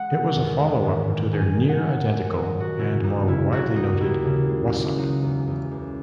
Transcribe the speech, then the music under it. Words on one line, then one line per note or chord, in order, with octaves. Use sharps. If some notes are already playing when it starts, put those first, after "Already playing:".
It was a followup to their near-identical and more widely noted Whassup?
Already playing: G#3 F#5
D#3
E2
G#3
G#2
G#2
D#3 G#5
D#3 G#5
F#5
D#3
A#2 G#5
F#5
F#3
D#5
F#3
F#4
C#3 E4
C#2 D#4
C#3 E4
F#3 F#4
D#2 D#4
D#2 E4
C#3
G#3
C#2
F#3 D#4
E2
E2
C#2